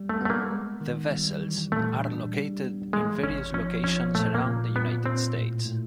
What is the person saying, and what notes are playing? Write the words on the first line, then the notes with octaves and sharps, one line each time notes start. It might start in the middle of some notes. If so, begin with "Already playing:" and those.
The vessels are located in various locations around the United States.
Already playing: G3
A3
A3 B3
A#3
G#3
D#3
G3
E3
A#2 A3
D4
G3
B3
E3 G#3
G#1 C#4
F3 C#4
F3 C#4
A#2 A3
A#3
A#2
A#2 B3
A#2 C4
A2
A2